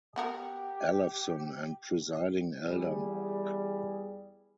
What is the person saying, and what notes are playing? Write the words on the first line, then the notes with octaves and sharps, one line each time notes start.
Ellefson and Presiding Elder Mork.
B3 F#4 G4 A#4
E2 G3 G#4